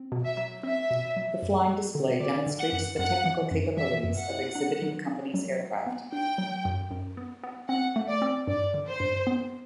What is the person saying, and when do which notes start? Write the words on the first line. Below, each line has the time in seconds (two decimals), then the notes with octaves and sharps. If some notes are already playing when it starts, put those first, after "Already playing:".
The flying display demonstrates the technical capabilities of exhibiting companies aircraft.
Already playing: C4
0.12 B2
0.25 E5
0.37 F#3
0.63 C4 E5
0.91 B2
1.16 F#3
1.42 F#2
1.69 G3
1.95 D3
2.20 D3 D5
2.46 D3
2.60 F#5
2.72 F#2
2.98 F#2 F#5
3.26 E3
3.51 F#2
3.77 E3 E5
4.04 F#2
4.17 F#5
4.30 E4
4.55 D4
4.82 F#3
5.08 D4
5.34 F#3
5.61 F#3
5.87 B3
6.13 D4 G5
6.38 F#3
6.65 F#2
6.91 F#2
7.17 B3
7.43 B3
7.69 C4 F#5
7.96 A3
8.09 D5
8.22 C4
8.47 G2 D5
8.74 D3
8.88 C5
9.00 G2
9.27 B3